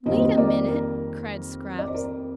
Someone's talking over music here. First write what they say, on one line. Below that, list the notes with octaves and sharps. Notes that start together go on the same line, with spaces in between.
"Wait a minute," cried Scraps.
F2 D#3 G3 A#3 C5 D#5
A#4 D5
A#4
D5
C5
A#4